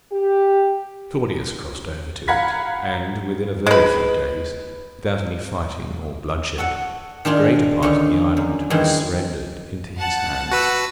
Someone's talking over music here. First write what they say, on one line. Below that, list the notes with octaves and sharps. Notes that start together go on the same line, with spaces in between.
Claudius crossed over to it, and within a very few days, without any fighting or bloodshed, the greater part of the island was surrendered into his hands.
G4
F5 F#5 A#5 B5 G#6 B6
G#3 B4
F#4 A4 F#5
D#3 D4 F4 G#4
D3 D#3 C#4
F#2
G2 D#3 E3 G#3
F#5 A5
F#4 B4 E6